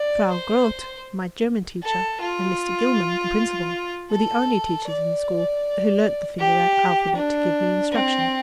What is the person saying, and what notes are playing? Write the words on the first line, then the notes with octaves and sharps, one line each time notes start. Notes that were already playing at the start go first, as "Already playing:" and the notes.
Frau Grote, my German teacher, and Mr. Gilman, the principal, were the only teachers in the school who learned the finger alphabet to give me instruction.
Already playing: D5
C5
A4
F4
A4
D5
G4
D4
C4